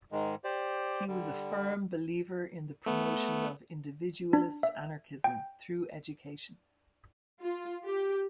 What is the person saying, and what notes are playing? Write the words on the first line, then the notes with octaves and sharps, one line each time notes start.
He was a firm believer in the promotion of individualist anarchism through education.
G#2 D#3 G#3
G4 C5 D5
D3 G3
A3 B3
D4
E5
G5
F4
G4